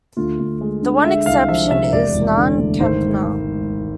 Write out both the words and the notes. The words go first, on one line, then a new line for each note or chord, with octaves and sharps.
The one exception is Nan Kempner.
D2 F4
D2
G#3
D3
G#3 E5
C2 F5
F3 E5
C3 E5
E1 D5
E1
D3
D2
G#1 C5